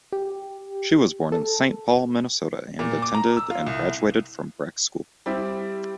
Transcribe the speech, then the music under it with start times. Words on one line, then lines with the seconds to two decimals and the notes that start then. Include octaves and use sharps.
She was born in Saint Paul, Minnesota, and attended and graduated from Breck School.
0.12 G4
1.32 A4
2.79 A#2
3.02 D6
3.14 A#5
3.37 E6
3.50 F4
3.67 C2
5.26 G3 C4 E4 G4